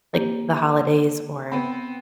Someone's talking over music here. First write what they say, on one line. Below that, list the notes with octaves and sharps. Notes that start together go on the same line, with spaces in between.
like, the holidays or
A#3 G4
B3 C4